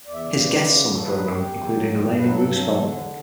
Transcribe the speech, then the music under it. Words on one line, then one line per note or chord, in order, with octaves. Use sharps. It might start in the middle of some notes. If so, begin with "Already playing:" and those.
His guests on the program included Eleanor Roosevelt.
E2 D5
E5
C#3 D5
E3 D5
C#3
D3
F#3
A4
F#3 B4
F#2
E2 G4
E2
F#3
E2
G2 G4
F#3 B4
G2 A4
F#3
E2
D3